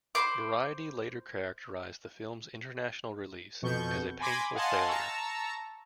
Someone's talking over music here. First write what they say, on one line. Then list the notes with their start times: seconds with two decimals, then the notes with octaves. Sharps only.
"Variety" later characterized the film's international release as "a painful failure".
0.15 C5 B5 C6 D6
3.62 F2 B2 C#6 G6
4.20 G#5 B5 C6 D6 G#6 A#6
4.54 D#5 F5 F#5 G#5 A5 C6
4.88 A5 A#5 C#6 E6